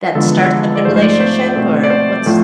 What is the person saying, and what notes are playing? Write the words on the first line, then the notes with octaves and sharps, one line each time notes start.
that starts up the relationship, or, what's
E2 D3 F3 G#3 B3 A4
D5
G#2 F3 A3 C5
C5
D5
C5
B2 A3 C4
D5
C5
A2 F3 A3 C4